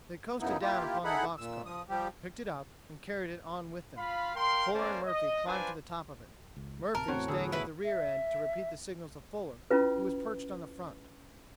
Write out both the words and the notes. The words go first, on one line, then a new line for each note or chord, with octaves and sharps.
They coasted down upon the box-car, picked it up and carried it on with them. Fuller and Murphy climbed to the top of it; Murphy, staying at the rear end to repeat the signals of Fuller, who was perched on the front.
F#2 C#3 B3 D#4 E4
A#3 E4 F4 G4
D#4 E4 G#4 A4 F#5 B5
A#2 E6
F3 D#6
F3 G3 G4
F4 F5 B5
A#4 F5 G5 C6
A3 A#3 C#4 C5 D5
D#5
D4 F4 B4 C5 D5 G#5
C#2
D1 C3 A#4 A5
E2 A2 C4 F#4 C#5
D3 B3 G#4 E6
E4 B4
E5
C#4 E4 F4 B4